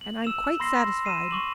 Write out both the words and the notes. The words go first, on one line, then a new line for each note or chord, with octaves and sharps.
And I'm quite satisfied.
F#7
E6 E7 F7
B5 C6 E6 A#6 C7
C7 D#7 E7
C#6 D6 F#7